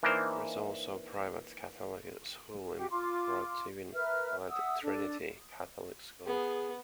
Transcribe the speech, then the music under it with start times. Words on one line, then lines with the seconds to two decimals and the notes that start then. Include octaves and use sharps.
There is also a private Catholic school in Protivin called Trinity Catholic School.
0.03 E3 A#3 D4 D#4 A#4 C5
2.76 F#4 G4
2.90 F4 C6 D6
3.93 A#4 B4 E5 F6
4.48 E5 F#5 D#6 E6
4.83 D4 A4
6.26 B3 G#4